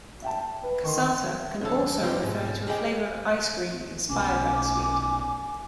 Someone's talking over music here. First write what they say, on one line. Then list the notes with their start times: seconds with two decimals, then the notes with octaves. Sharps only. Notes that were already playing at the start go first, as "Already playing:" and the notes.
"Cassata" can also refer to a flavor of ice-cream inspired by the sweet.
0.22 E5 G5 A5
0.63 B4
0.84 D#3 C6 C#6
1.61 F2 D3 A4
2.02 G3 C4 D#4 F4 G4
2.23 B1 G#2
2.67 G4 G#4 D#5 G5
4.10 B1 C#4 G#5 D6